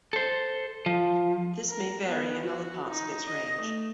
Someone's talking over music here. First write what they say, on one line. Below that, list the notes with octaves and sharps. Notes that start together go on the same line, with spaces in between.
This may vary in other parts of its range.
A4 C5
F3
A#4
B3
F#4
D#4
D#5
A3